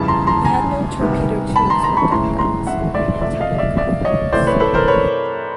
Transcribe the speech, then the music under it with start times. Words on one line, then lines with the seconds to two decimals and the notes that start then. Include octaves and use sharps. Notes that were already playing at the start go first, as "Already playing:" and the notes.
They had no torpedo tubes or deck guns, only anti-aircraft guns.
Already playing: F2 C#3 E3 G3 A5 B5
0.08 A#5 C6
0.27 A#5 C6
0.45 G#5 A#5
1.01 C3 D#3 G3 B3
1.56 A5 B5
1.70 A#5 C6
1.83 A#5 C6
1.97 B5 C#6
2.11 A2 E3 G#3 C#4 A#5 C6
2.39 A#5 C6
2.67 E5 F#5
2.94 D5 E5
3.21 C3 F3 A3 D5 E5
3.41 D#5 F5
3.58 D5 E5
3.77 D5 E5
4.04 C#5 D#5
4.33 C3 E3 A3 C4 C5 D5
4.47 B4 C#5
4.60 A4 B4
4.74 A#4 C5
4.88 B4 C#5